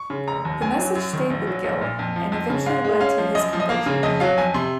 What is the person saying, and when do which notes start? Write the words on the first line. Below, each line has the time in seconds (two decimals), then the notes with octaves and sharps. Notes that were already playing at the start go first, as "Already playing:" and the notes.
The message stayed with Gill and eventually led to his conversion.
Already playing: C#6
0.10 C#3
0.28 F1 A#5
0.45 D#2
0.62 F#2 G#5
0.79 F#3
0.95 F#2
1.13 D#3
1.30 A#1
1.47 F#3
1.64 A#1
1.81 A#2
1.99 F2
2.16 F3
2.32 F2
2.50 C#3
2.66 G#2 F5
2.84 G#3
3.00 C#4 F5
3.18 F3
3.35 F#2 D#5
3.53 F3
3.60 D#5
3.69 A#3 F5
3.86 C#3
4.03 F2 D#5
4.20 F#3 F5
4.38 F2 G#5
4.54 C3 C6